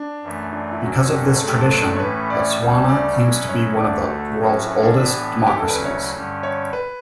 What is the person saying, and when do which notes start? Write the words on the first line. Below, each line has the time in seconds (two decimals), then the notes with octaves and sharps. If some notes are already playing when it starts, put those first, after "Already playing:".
Because of this tradition, Botswana claims to be one of the world's oldest democracies.
Already playing: D4
0.23 F#2 E3 A3
0.52 D4
0.72 E4
0.82 F#2 D3 F#3 C#4 F#4
1.07 F#4
1.11 G4
1.26 B4
1.37 G2 F#3 A3 D4 A4
1.48 G4
1.58 A4
1.95 C#5
2.00 A2 E3 A3 C#4 E4 B4
2.30 D5
2.60 D2 C#3 G3 C#4
2.89 D5
3.19 B2 F#3 C#4 E4
3.49 C#5
3.78 D2 D3 A3 D4 D5
3.99 G4
4.08 F#4
4.37 A2 F#3 C#4
4.66 E4
4.82 D4
4.96 A2 E3 B3 E4
5.47 G4
5.55 D2 C#3 F#3 C#4 E4 A4
5.70 B4
5.85 C#5
6.14 G2 D3 G3 C#4
6.43 C#5
6.73 B4